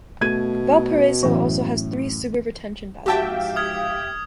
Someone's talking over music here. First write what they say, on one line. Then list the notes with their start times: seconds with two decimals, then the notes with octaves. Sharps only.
Valparaiso also has three sewer retention basins.
0.21 B2 A3 G#6 D#7
1.23 F#2 A2 E3 B3
3.06 G#2 F3 F#4 G4 E5 F5 G5 A5
3.56 D#6 F6 G#6